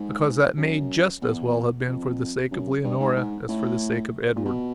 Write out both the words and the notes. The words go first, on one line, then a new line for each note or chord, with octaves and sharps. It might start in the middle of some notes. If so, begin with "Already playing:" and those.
Because that may just as well have been for the sake of Leonora as for the sake of Edward.
Already playing: G#2
F#2
E2
F2
F#2
G2
G#2
G#2
A2
A#2
B2